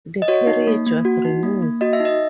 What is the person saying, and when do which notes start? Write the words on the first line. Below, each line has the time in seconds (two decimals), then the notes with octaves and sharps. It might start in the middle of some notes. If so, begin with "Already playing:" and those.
The carriage was removed.
0.22 D#5
0.28 F#4 C#5
0.47 D#4
0.67 A#3
0.87 A#3
1.05 F#4
1.25 D#4
1.43 A#3
1.62 A#3
1.81 F#4 D#5
1.93 E5
2.00 D#4
2.05 D#5